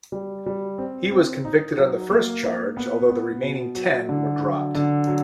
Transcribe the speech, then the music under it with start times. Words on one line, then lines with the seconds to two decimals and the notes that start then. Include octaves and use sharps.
He was convicted on the first charge, although the remaining ten were dropped.
0.12 G3
0.46 G3
0.78 C4
1.12 C4
1.45 D#4
1.77 F#3
2.11 A#3
2.44 A#3
2.77 B3
3.10 B3
3.43 B2
3.75 F#3
4.09 D3
4.42 F#3
4.75 D3
5.07 F#3